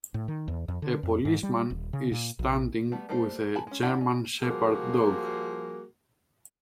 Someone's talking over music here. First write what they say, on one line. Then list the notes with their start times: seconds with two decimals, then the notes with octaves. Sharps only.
A policeman is standing with a German Shepherd dog.
0.14 A2
0.28 D#3
0.48 E2
0.68 F2
0.82 D3
1.03 F2
1.25 G#2
1.43 G3
1.70 D#1
1.93 C#3
2.12 A#2
2.39 A#1
2.92 G3 A3 B3
3.09 G3 A3 A#3 A4 C5
3.55 D#3 G#5 A5 B5
3.67 G#3 C#4
3.83 D4 E4 G4 F#5
4.01 C#4
4.42 F3 G3 A#3 F#4 G#4